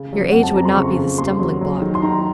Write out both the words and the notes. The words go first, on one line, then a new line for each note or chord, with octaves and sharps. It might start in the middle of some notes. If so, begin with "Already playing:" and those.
"Your age would not be the stumbling block."
Already playing: C#3
F#3
F2 F#5
A5
F2 A#5
C6
C#3 C#6
C#3
D#2 C6
F#3
F#3
D#3
C6
D#3 A#5